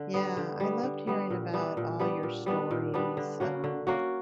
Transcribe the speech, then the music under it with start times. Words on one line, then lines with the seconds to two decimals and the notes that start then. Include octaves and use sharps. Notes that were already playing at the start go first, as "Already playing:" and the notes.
yeah, I loved hearing about all your stories, um,
Already playing: D3
0.14 G3 B3
0.37 D3
0.60 G3 B3
0.83 D3
1.07 G3 B3
1.30 A#2
1.53 G3 B3 D4
1.77 A#2
1.99 G3 B3 D4
2.23 A#2
2.46 G3 B3 D4
2.71 A#2
2.94 G3 B3 D4
3.17 D3
3.40 A#3 C#4 F#4
3.64 D3
3.87 A#3 C#4 F#4